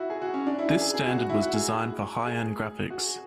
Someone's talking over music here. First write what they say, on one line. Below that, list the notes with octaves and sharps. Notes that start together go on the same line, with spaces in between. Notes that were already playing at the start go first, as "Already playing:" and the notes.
This standard was designed for high-end graphics.
Already playing: E4 F#4
G#4
F#4
C#4
D4
E4
G#4
G#4
G#4
F#4
F#4
E4
F#4
G#4
G#4
F#4
G#4